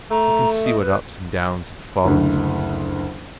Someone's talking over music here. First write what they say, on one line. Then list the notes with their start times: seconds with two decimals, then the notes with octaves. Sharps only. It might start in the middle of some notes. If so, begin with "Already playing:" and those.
You can see what ups and downs have fallen to me.
0.11 A3 A#5
0.64 D#5
0.81 B4
2.04 F#1 D2